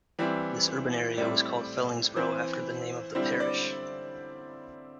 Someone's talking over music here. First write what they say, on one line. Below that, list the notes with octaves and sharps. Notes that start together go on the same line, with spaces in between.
This urban area was called Fellingsbro after the name of the parish.
E3 G3 C4 E4
A2 G3 C4 E4 D5
E3 C4 E4 C5
D3 G3 C4 E4 C5
D5